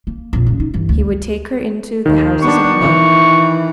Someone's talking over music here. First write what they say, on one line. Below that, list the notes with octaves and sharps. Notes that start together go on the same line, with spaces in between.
He would take her into the houses of men.
A#3
A#1 F2
G2 C#3
D#4
G2 E3
D2
D#2 D#3
B3 D4 C#6
E3